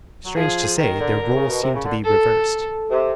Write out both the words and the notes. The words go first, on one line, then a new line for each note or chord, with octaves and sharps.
Strange to say, their roles seemed to be reversed.
F#3
F3 G#4
D#3 A#4
D3
D3
C#3
B2
C3
C#3
D3
A4
C3